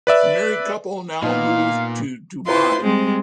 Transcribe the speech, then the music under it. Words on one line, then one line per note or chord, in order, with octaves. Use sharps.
The married couple now move to Dubai.
B4 D5 E5
A#2 B3 D#4 F5
E4 F4 B4 C5 C6
G3 G#3 C4